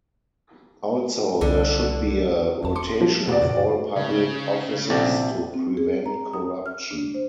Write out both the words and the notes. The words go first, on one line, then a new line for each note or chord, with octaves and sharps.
Also, there should be a rotation of all public offices to prevent corruption.
C2 D3
G1 F2 A5
C6 D6 C#7
F3
B2 A#3 F#4 D5
F#2 A#2 C#3
C#3
A#1 C3 D5
C4
G#4
A#5
D#6
F6
D4
C5